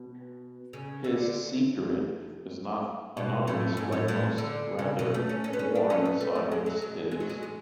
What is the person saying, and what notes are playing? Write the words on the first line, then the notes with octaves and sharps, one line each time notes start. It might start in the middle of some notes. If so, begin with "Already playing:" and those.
His "secret" is not anonymous like most; rather, Warren signs his.
Already playing: B2
C#3
D3
B2
A2
G#2
A2
A2
D3
C#3
B2
A3
C#4
C#4
B3
C#4
D4
C#4
B3
A3
G#3
G#3
F#3
G#3
G#3
F#3
G#3
G#3